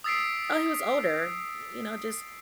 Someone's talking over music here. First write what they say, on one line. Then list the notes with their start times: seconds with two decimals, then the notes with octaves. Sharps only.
oh, he was older, you know; just
0.04 D#6 E6 A6 B6 C7 D7